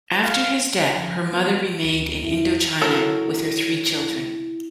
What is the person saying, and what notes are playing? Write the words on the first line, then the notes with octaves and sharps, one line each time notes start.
After his death, her mother remained in Indochina with her three children.
F5
F3
B3
D2
F2 E4
F#3 E4 A4 A#4